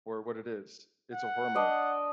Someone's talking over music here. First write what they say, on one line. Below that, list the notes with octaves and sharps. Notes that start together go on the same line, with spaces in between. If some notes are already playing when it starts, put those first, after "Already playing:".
or what it is? It's a hormone.
F#5
D4 D5 D#5